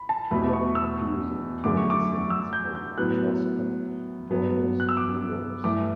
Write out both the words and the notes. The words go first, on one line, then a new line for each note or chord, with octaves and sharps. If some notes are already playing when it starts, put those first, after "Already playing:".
Turan appears in toilette scenes of Etruscan bronze mirrors.
Already playing: B5
A5
E2 B2 A3 B5
C#6
E6
F#2 D3 A3 D6
C#6
D6
E6
G6
G6
A2 F#3 B3 F#6
G2 F#3 B3
F#6
E6
D6
G2 E3 A3 D6